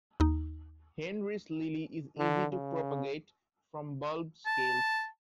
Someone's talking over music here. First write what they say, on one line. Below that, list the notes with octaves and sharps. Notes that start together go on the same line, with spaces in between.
Henry's lily is easy to propagate from bulb scales.
D#2 D#4
D3
C#3
A5